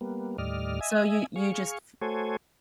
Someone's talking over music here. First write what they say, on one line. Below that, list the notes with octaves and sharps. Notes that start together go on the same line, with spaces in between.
So you you just f
G3 A#3 B3
D#2 A2 G3 D5 D#5 F6
D#5 E5 G#5
G#4 F5 C#6
A3 F#4 A4 C5 C#5 G#5